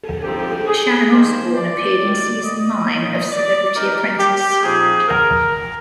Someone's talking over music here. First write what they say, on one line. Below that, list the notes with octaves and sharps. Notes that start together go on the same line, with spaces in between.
Sharon Osbourne appeared in season nine of "Celebrity Apprentice".
G2 F3 C4 D#4 G4
G#4
G2 D#3 G3 A#3 C5
D5
G#2 D#3 G3
D#5
D#3 A#3 D#4
D5
D#3 G#3 C4 D#4 A#4
G4
A#2 F3 C4 D#4 G#4
A#4